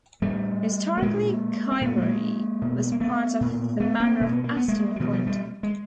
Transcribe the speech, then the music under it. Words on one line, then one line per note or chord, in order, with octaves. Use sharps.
Historically Chivery was part of the manor of Aston Clinton.
A2 G3 A3
A3
A#2 G#3 A#3
C4
A#2 A3 B3
A3
G#3 A#3
B2
A#3
A3 B3
A#2
A3 B3
A#3 C4
B2 A#3
B3
A#3
B3
G#3 A#3
G3
B2 E3 F#3
F3 G3
G3 A3
G#3